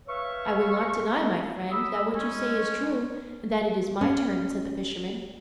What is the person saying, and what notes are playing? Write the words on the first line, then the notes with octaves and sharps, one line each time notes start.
"I will not deny, my friend, that what you say is true, and that it is my turn," said the Fisherman.
B4 C#5 E5 F5 C#6
B5 D#6 E6
G#3 C#4
C#4